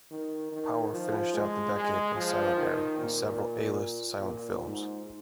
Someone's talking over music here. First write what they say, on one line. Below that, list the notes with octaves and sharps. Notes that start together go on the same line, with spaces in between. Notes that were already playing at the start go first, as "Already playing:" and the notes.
Power finished out the decade and silent era in several A-list silent films.
D#3
D#3
F3
G#3
G#3
F3
D#3
A#2
A#2
G#2